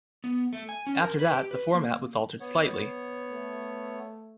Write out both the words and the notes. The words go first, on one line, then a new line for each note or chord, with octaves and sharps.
After that, the format was altered slightly.
B3
A3
G#5
C#4
A#4
B4
G4
B4
A#3
B3 C#5
A3